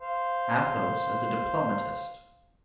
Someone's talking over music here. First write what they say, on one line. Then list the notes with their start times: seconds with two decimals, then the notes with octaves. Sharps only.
Athos as a Diplomatist.
0.01 C5 F5